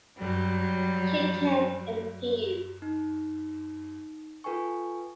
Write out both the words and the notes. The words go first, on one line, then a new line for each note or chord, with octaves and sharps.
She can appeal.
F#3 G3
D#4
F4 A4 B4 G5 G#5 C#6